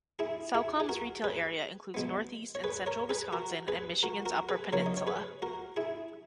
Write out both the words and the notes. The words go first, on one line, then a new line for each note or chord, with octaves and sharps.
Cellcom's retail area includes northeast and central Wisconsin and Michigan's Upper Peninsula.
E4 G#4
E4 G#4
G#4
F#4 A#4
G#4 B4
B2 G#3 B3
C#5
G#4 B4
A#4 C#5
G#4 B4
F#4 A#4
G#4 B4
F#4 A#4
F#4 A#4
G#4 B4
C#3 F#3 A#3 A#4 C#5
D#5
C#5
G#4 B4
F#4 A#4
E4 G#4